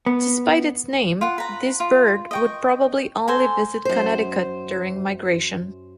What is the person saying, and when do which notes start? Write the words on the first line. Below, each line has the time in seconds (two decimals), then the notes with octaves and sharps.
Despite its name, this bird would probably only visit Connecticut during migration.
0.06 B3
1.21 F4 F#5
1.38 B4 A#5
1.80 F4
2.31 D#5 G5 C#6
3.28 A4 C5 G#5 A#5
3.85 F#2 C5